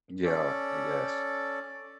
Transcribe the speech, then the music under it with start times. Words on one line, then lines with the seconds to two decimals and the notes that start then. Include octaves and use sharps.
Yeah, I guess.
0.24 C#4 A4 D5